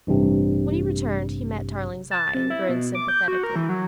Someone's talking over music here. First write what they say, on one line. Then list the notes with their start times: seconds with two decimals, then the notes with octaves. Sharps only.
When he returned, he met Tarling's eye and grinned sympathetically.
0.07 A1 G2 C3
2.11 A5
2.34 C3
2.50 E4
2.69 B2
2.95 D6
3.08 G6
3.28 F#4
3.43 A#4
3.56 E3
3.69 F#3